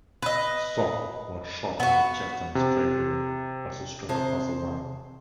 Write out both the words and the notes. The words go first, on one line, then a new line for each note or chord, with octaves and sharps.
Soh was shot in the chest and a stray bullet also struck a passerby.
B4 D#5
B3 F#4
C3
C3 G#4 C5 A5